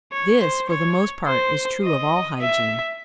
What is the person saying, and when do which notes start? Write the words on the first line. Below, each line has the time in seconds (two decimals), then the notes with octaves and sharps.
This, for the most part, is true of all hygiene.
0.12 C#5
0.41 C5
0.69 C#5
1.27 C5
1.84 D#5
2.41 E5